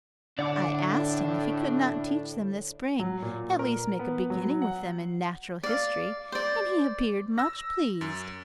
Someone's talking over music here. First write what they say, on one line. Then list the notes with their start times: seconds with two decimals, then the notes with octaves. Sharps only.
I asked him if he could not teach them this spring, at least make a beginning with them in natural history, and he appeared much pleased.
0.39 A2 D3 D4 D5 F#5 D6
2.99 F#3
3.22 A#2
3.59 A#4
3.99 B3
4.30 F#3
4.62 F#5
5.63 D5 F5
6.32 C5 D5
7.38 E6 A#6
8.01 F#2